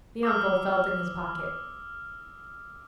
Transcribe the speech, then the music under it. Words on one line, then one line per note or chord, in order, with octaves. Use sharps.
The uncle felt in his pocket.
D6 E6 F6